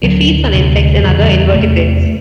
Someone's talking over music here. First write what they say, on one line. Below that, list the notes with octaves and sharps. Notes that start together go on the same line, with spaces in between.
It feeds on insects and other invertebrates.
D2 D3 F#3
D2 C3
E2 C#3 G3
F#3
G3
E2 C3 A3